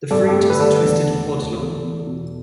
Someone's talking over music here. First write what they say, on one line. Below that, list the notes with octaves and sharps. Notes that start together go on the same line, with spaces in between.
The fruit is a twisted pod long.
G2 A4 D5
G4
A3 A4
B4
D3 A4 D5
E1
A3
D2
E2 A4
E2
B2